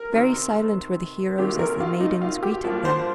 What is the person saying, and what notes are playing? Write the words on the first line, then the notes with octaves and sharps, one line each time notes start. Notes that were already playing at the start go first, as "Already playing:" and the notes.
Very silent were the heroes as the maidens greeted them.
Already playing: A#4
C3 D#3 C4
C3 D#3 A#3 G4
A#4
F4
D#4
F4
G4
G2 F3 A#3
C5